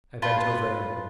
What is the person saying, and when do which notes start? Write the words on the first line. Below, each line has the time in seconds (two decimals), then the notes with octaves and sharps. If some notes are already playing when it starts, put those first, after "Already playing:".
I bent over him.
0.22 F4 B4 A5